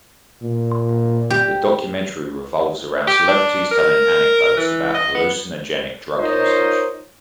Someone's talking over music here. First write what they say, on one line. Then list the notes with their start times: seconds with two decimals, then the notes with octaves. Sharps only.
The documentary revolves around celebrities telling anecdotes about hallucinogenic drug usage.
0.42 A#2
1.30 G4
3.07 G4
3.28 D4
3.71 A#4
4.57 E3
4.94 D#5
5.15 B3
6.20 D#4 F4 A#4 C5 C#5 D#5